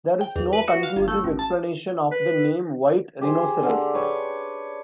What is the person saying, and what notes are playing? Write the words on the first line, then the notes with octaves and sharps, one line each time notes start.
There is no conclusive explanation of the name white rhinoceros.
G5
E2
B4
F#4
F5
G1
A3
A1
A5
B4
G4 G#4 C5
D3
B4 C#5 G5